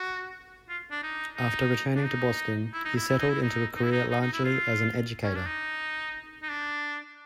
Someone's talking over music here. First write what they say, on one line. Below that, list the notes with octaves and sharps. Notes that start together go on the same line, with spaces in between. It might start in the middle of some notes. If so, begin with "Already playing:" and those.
After returning to Boston, he settled into a career largely as an educator.
Already playing: F#4
F4
D4
D#4
D#4
D4
D#4
E4
D#4
E4
E4
D#4
E4
D#4
D#4
E4
D#4
D#4
D#4
E4
F4
C#4
D4
D#4
D#4
D4